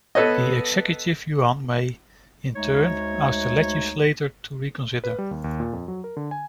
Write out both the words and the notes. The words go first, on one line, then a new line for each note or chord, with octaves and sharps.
The Executive Yuan may, in turn, ask the Legislators to reconsider.
B3 A4 B4 C#5 D#5
D2 G#3 A3 D#4 C#5
B4
G3
D#2
D#2
A#2
F2
F#3
A#4
D3
G#5